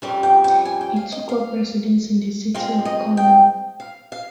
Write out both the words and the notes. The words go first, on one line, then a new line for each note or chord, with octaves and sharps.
He took up residence in the city of Kalmar.
F2 C#3 G3 C4 A#4
G5
G5
G#5
G5
F5
D#5
F5
A#2 G#3 C4 F5
D#5
G5
F5
F5